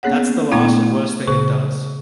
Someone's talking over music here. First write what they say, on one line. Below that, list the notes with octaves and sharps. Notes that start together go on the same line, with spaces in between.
That's the last and worst thing it does.
A#3 B3 C#4 G#4 C#5 F#5
A#2 A3 B3 D4 E4 G5
A#2 C#3 G#4 C5